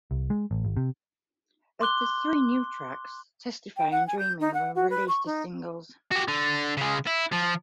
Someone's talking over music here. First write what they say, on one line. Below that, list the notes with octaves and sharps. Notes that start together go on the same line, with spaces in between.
Of the three new tracks, "Testify" and "Dreaming" were released as singles.
C2
G#3
A1
G#1
C3
C6 D6 F#6 G7
G5
F#5
G#5
G6
D#4
F#5
F#4
B4
C#6
D#4
F#4 G4
D3
C#3 G#3
E4
F3